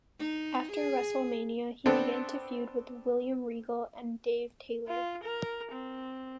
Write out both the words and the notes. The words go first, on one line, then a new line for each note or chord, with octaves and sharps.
After WrestleMania, he began to feud with William Regal and Dave Taylor.
D#4
G#4
B3 C4 D4 A4 C5
F4
A#4
C4